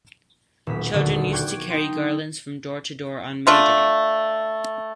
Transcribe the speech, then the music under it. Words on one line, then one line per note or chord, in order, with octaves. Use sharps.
Children used to carry garlands from door to door on May Day.
D#1 B1 B6
D#1 D2 D3 F#4 D5 F#6
G5 C#6 D6 F#6 G#6
D6 D7
D#4 G5 C6
A3 D4 F4